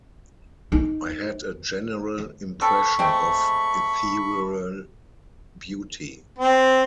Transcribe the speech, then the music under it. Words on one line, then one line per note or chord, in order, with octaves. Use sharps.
I had a general impression of ethereal beauty.
D#4
C4 A4 B5 C#6
G#3 A3 C4
C4